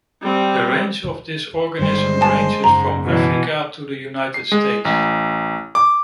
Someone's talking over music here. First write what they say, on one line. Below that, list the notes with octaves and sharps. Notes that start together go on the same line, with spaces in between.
The range of this organism ranges from Africa to the United States.
G3 C4
G1 G3 G#3 C5
G#5 A5
F#1 G#2 A#5
B2 E3
C7
G#3
A1
D6